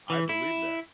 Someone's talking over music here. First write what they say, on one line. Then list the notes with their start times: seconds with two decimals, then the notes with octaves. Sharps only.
I believe that.
0.10 E3
0.29 E4